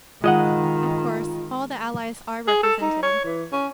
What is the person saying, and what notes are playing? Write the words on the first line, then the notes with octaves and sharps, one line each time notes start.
Of course, all the allies are represented.
D#3 G#3 F4 D#5 F#5
G#4
A4
D#4
C#5
E3
C#4